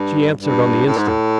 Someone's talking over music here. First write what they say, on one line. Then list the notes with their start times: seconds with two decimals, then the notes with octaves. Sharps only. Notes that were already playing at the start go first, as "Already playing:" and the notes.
She answered on the instant.
Already playing: G2
0.36 G2
0.86 A2
0.97 G#2
1.08 A2